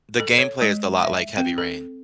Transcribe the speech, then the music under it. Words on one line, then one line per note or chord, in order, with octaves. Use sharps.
The gameplay is da lot like Heavy Rain,
A4
C#5
G#3
E5
C4
A4